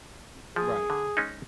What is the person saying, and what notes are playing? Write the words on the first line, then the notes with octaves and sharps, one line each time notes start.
Mm, right.
F3 G#4
D3
G#3 C#4 D#4